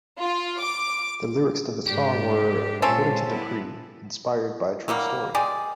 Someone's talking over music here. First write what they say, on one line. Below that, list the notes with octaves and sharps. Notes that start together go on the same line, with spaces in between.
The lyrics to the song were, according to Dupri, inspired by a true story.
F4
D6
G#2 D4 G4
A#2 G#3 C4 C#4 F4 A4
G3 B3 E4
D#3 F#3 G3 A#3
G#3 G4 G#4 D5